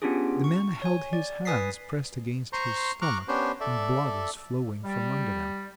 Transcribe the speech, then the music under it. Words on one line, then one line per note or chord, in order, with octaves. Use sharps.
The man held his hands pressed against his stomach, and blood was flowing from under them.
B3 C#4 D4 F4 G4 G#4
C#6
C#5 G#5
D5
B4 G#5 D#6 A6 B6 C7
C5 A#5 C6 C#6
A#5 C#6 D6 F6 F#6
B3 C#4 D4 G4 C5
A4 D5 E5
G3